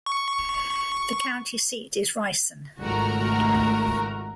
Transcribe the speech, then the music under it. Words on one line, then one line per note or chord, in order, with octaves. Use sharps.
The county seat is Rison.
C#6
G#1 C#2 A3 F#4 A#4 A#5